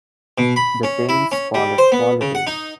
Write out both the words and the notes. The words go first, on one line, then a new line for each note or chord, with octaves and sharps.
"The Danes call it quality".
B2
B5
C#4
E4
C#4
G3
C5
B3
C#3
F#5
D#4